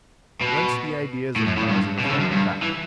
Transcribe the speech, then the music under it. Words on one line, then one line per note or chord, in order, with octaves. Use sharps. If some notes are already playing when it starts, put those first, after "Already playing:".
Whence the Ideas of cause and effect got.
B2
A2
F#2
A2
G2
B2
C#3
D3
F#2
G2
E3